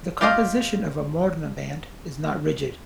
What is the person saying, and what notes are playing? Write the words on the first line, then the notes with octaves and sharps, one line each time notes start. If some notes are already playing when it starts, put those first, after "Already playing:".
The composition of a morna band is not rigid.
F4 G4 D5 D#5 F5